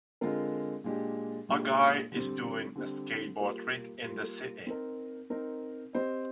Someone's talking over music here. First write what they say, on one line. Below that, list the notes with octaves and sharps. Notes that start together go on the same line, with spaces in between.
A guy is doing a skateboard trick in the city.
D3 G#3 C4 F4 A#4
A#2 G#3 D4 G4
A#2 G#3 D4 G4
D3 G3 C4
D3 G3 C4
G3 A#3 F4
G3 A#3 F4
C4 D#4 A#4
C4 D#4 A#4
C4 G4 C5 D#5